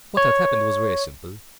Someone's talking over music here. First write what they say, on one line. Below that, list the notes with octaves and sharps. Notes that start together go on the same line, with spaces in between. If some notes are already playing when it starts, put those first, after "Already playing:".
What had happened was very simple.
C#5